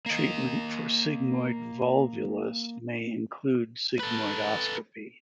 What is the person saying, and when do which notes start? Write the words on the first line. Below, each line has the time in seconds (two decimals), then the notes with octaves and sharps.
Treatment for sigmoid volvulus may include sigmoidoscopy.
0.06 A#3 D#5
4.00 A4 B4